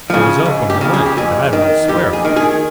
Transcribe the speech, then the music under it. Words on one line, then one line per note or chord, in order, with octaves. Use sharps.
'It was up when I went, that I'll swear.
C#3 F3
C#2
G4
C#3 F3
G#4
G4
F2 G#4
D#3
F2 G4
G#4
D#3
G#4